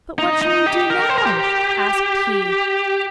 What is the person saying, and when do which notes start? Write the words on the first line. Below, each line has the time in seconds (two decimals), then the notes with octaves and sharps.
'But what shall we do now?' asked he.
0.19 D#4
0.42 D#4
0.66 G4
0.90 A#4
1.09 C5
1.18 A#4
1.25 G4